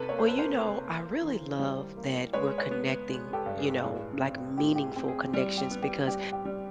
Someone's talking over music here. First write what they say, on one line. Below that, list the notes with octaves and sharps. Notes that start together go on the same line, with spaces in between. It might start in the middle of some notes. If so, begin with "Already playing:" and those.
Well, you know, I really love that we're connecting, you know, like, meaningful connections, because
Already playing: C3 A4 B4
A#3 C#5
C5
B4
A#4 C5
A#3
A#3
E3
G3
A#3
G#3 B4 C#5
B4 C#5
B3
G#3
G4 A4
G2
G#4
A2 G#4
C4
A2 G4
G4
G#4
C4
G#4
G3
G4
B3
G4
G3 G4
G4
G3